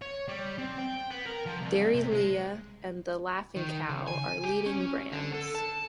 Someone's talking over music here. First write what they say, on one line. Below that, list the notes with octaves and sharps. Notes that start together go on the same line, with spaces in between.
DairyLea and The Laughing Cow are leading brands.
C#5
G3
C4
G5
B3
A#4
F3
C2
C3
G#3
D#3
C#3
G#5
G4
C#4
D3
A4
A5